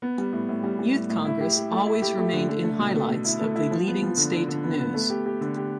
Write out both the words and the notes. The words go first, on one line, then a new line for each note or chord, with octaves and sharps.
Youth Congress always remained in highlights of the leading state news.
B3
G3
A2
A2
G3
G3
A2
A2
E4
G4
G4
A3
E4
G4
A3
D3
A3
A3
B2
A3
A3
E4
A3
E4
F3
B3
F3
D3
D3
D3
B3
B3
A3
G4
G4
D3
G4